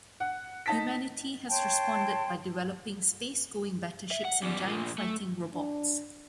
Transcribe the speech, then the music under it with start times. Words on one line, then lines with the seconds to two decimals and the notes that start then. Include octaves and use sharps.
Humanity has responded by developing space-going battleships and giant fighting robots.
0.20 F#5
0.66 D#4 A5 B6
1.49 C#5 G5 A5 C6
4.11 E5
4.25 F#5
4.43 E2 G3
4.64 A#2 F3
4.98 A3
5.54 D4